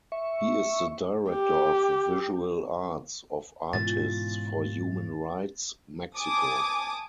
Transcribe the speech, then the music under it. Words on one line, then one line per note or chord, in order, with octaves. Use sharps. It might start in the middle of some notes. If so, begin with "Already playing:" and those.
He is the Director of Visual Arts of Artists for Human Rights Mexico.
E5 C#6
G4
G#2 B2 E3 C#4 F4 A6
G#5 A5 D6 D#6